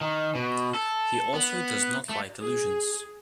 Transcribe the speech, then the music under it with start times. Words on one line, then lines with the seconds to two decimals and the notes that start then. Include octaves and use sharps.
He also does not like illusions.
0.01 D#3
0.35 B2
0.74 A4
1.34 B3
2.09 A3
2.41 G#4